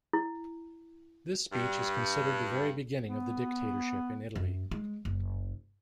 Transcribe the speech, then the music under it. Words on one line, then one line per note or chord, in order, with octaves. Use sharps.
This speech is considered the very beginning of the dictatorship in Italy.
E4
G2
B3
F#2
G#3
F#1